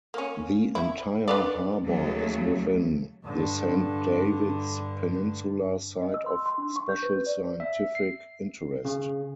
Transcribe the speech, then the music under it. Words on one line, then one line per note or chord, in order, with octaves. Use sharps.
The entire harbour is within the Saint David's Peninsula Site of Special Scientific Interest.
A#3 C#4
E4
D4 B4 D5
D#2 C#3 F#3 A3
G2 D3
D#5
E6
C6
C6
D4
C#6
G6
B4
D5
E5
C7
C#3